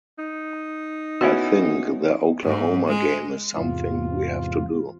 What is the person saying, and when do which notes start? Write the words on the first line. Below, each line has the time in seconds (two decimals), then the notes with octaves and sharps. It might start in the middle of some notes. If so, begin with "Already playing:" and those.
I think the Oklahoma game is something we have to do.
0.18 D#4
1.21 B3 C#4 E4 F#4
2.44 G#2
2.88 G#3
3.55 E2 G#2 C3 F4